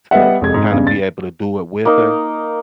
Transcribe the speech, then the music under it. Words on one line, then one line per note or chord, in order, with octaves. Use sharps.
to to kinda be able to do it with her,
G3 B3 D#5 E5 F#5
F1 G#3 G#6
G#2
E2 G2 C#3
A6
A#3 D#4